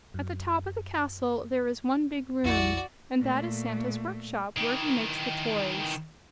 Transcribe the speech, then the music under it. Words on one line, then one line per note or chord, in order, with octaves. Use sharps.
At the top of the castle there is one big room, and that is Santa's work-shop, where he makes the toys.
F#2
A#1 F2 E4 F#4 D5
A#2 A3
D#3 E3